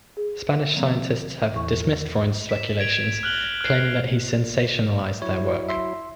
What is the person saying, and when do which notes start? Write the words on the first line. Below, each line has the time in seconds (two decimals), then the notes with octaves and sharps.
Spanish scientists have dismissed Freund's speculations, claiming that he sensationalised their work.
0.17 G#4
0.74 D3 F3 A#3 C4
1.54 E2 A2 E3 C#6
2.49 B6 E7
2.80 G#6 D7 F7
3.23 F6 F#6 F#7 G7
3.61 F6 C7
5.22 F#3 E4 C#5
5.69 E5 C6